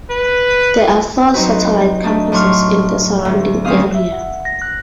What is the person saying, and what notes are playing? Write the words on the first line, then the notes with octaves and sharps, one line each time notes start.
There are four satellite campuses in the surrounding area.
B4
F#3 C4 D#4 F#4 B4
A3 D4 D#4
A2 F#3 C6 C#6 F6
D2
D2 C4 C#4 E4 F5 D#6
E5
F#5
A#6
F#6